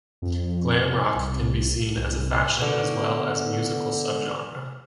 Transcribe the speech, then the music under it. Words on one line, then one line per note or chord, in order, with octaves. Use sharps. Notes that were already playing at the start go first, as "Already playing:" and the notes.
Glam rock can be seen as a fashion as well as musical subgenre.
F2
C2
C2
B2 D3